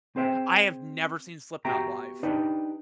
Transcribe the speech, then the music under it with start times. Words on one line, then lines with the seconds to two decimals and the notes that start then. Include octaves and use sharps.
I have never seen Slipknot live.
0.16 C4 G#4 C5 E5 G5
1.65 B3 F#4 G4 E5 G5 A#5
2.23 D4 D#4 G4 B4 D5